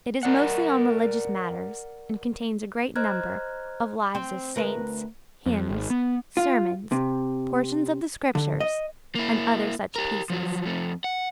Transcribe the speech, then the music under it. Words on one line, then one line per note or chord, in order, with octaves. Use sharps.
It is mostly on religious matters, and contains a great number of Lives of saints, hymns, sermons, portions of the Scriptures, and other such pieces.
A#4 D5 F#5
C5 D#5 A#5 F6 F#6 G#6
C4
D2 A#4 B4
F2
G#1
B3
F4
C3
D3
D#5
A#3 E4
G4 A#4
F3 F#3
F2 A3
F#5